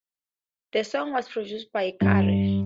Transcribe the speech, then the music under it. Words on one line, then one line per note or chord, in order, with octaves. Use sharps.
The song was produced by Carr.
G2